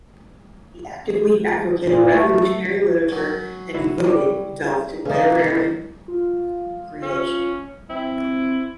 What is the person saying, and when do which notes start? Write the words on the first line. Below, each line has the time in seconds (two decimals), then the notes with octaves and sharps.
He actively advocated revolutionary literature and devoted himself to literary creation.
1.86 A#2
2.14 A3
3.08 F#3 C#4
3.74 E4 F#4
4.08 G3
5.06 E2 E3 C#4 D#4 F5
5.41 D#3 E4
6.08 F4
7.02 C#4
7.90 C4 E4